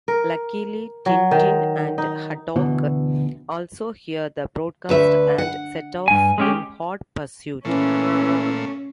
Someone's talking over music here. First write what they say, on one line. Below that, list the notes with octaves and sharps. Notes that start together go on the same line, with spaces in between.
Luckily, Tintin and Haddock also hear the broadcast and set off in hot pursuit.
A#4
F#3
D#3
D#4
D2 B2 E3
D2 B4 E5
F#5
G2 G#5
G#3 C#4 G4
A#2 E3 A3 C#4